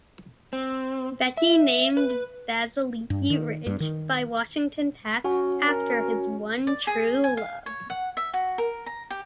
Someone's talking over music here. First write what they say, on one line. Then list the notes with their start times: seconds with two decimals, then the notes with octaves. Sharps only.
Beckey named Vasiliki Ridge, by Washington Pass, after his one true love.
0.53 C4
1.37 E5
1.97 B4
3.10 G2
3.30 D#3
3.67 G2
3.80 D#3
5.24 C#4 F#4
5.67 A#4
6.67 D5
6.87 G#4
7.24 G#5
7.37 F5
7.66 C#5
7.90 F#5
8.17 E5
8.34 F#4
8.58 A#4
8.86 A#5
9.10 G4